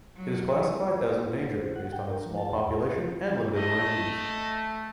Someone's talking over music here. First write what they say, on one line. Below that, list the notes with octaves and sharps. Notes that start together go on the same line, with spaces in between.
It is classified as endangered based on its small population and limited range.
F#3
C5
F#5
G5
A#4
F3
A5
E2
G4
A3 D#5